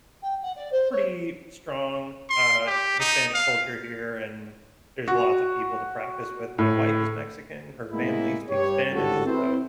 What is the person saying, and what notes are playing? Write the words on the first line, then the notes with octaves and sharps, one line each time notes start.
pretty strong, uh, Hispanic culture here, and there's lots of people to practice with. My wife is Mexican. Her family speaks Spanish. So
G5
F#5
D5
C5
C#5
C6
G4
D#4
F5
F#4
A2
A2 C#3 G#3 A#3 B3 E4
G2 G4 C#5
G#1 A2 D3 F#4 G4 A4
C4 E4 B4 C5